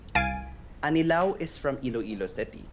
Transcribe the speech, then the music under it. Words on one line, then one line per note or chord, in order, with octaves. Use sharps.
Anilao is from Iloilo City.
C2 F5 G#5 A6 D7 D#7